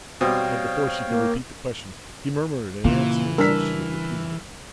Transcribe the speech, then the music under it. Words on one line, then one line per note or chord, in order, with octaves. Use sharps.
But, before she could repeat the question, he murmured an answer as if she had repeated it.
B2 G3 C4 C#5 F5 G5
A#3
A#2 C#3 E3
G3 D4 A#4 E6 F6 B6